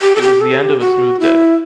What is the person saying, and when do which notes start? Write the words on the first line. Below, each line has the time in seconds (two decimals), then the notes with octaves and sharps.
It was the end of a smooth day.
0.02 G4
0.16 A4
0.21 G4
0.41 A4
0.61 G4
0.80 F#4
1.20 E4